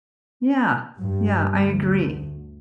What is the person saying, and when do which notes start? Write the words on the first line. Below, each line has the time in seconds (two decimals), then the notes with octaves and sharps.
Yeah. Yeah, I agree.
0.97 G2
1.54 D2